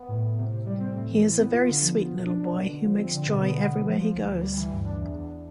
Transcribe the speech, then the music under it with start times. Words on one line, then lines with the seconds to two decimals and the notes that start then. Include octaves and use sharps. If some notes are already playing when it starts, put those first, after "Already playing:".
He is a very sweet little boy who makes joy everywhere he goes.
Already playing: B3
0.08 A2
0.22 A2
0.38 C3
0.52 C3
0.66 G3
0.80 C4
0.94 A2
1.09 E3
1.24 E3
1.38 B3
1.53 F4
1.67 D3
1.82 F3
1.96 F3
2.11 B2
2.25 D4
2.40 D4
2.55 B2
2.69 D3
2.83 F3
2.98 C4
3.13 D3
3.27 B2
3.41 B3
3.56 B3
3.70 B3
3.84 F3
4.00 F3
4.14 D2
4.28 D2
4.42 G3
4.56 E3
4.72 G2
4.86 D4
5.01 E2
5.14 E2